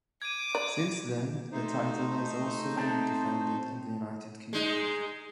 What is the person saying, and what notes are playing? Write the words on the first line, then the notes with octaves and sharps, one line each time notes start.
Since then, the title has also been defended in the United Kingdom.
D6 G#6 D#7
D5
A3 D#4 C5
C4 A5
G#3 D#4